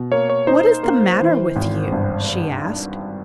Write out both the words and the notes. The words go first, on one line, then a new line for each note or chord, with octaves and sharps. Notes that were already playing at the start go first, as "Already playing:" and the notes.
"What is the matter with you?" she asked.
Already playing: B2
A#3 C#5
C#5
D#4 C5
A#3
E3
G#1
G2